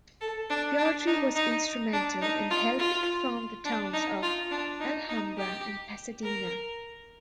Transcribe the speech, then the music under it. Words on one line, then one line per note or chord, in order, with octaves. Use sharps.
Beaudry was instrumental in helping found the towns of Alhambra and Pasadena.
A4
D4
D4
D#4
D#4
D4
D#4
F4
F4
D4
D#4
F4
D4
D#4
D#4
G4
A#4